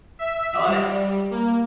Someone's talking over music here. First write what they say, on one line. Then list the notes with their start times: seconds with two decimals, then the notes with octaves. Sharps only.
I love it.
0.19 E5
0.67 G3
1.31 A#3